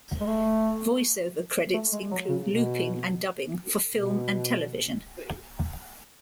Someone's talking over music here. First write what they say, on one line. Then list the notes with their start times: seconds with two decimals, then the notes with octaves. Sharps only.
Voice-over credits include looping and dubbing for film and television.
0.20 G#3
0.26 A3
1.74 A3
1.92 G#3
2.11 F#3
2.29 C#3
2.48 B2
3.94 B2